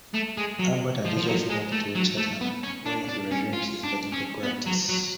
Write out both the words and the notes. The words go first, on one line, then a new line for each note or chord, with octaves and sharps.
Abbott and his wife moved to Chatham where he resumed his medical practice.
A3
G#3
F#3
F3
F3
F#3
G#3
A3
F#3
A3
B3
C#4
D4
D4
C#4
F4
D4
C#4
B3
F#3
F#3